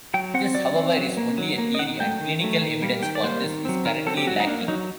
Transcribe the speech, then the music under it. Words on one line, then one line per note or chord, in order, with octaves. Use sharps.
This, however, is only a theory, and clinical evidence for this is currently lacking.
F#3 G5
C4 F#5
F#3 D5
C4
F#3
A#3
F#3
A#3
D#5
D#3 F#5
F#3 A3 G5
D#3
F#3 A3
D#3
G3 A#3
D#3 G5
D5
G3 A#3 C5
D#3
F#3 C4
D#3 A#4
F#3 C4 A4
G4
F#3 F#4
D#4
A#3 D4
F#3 D#4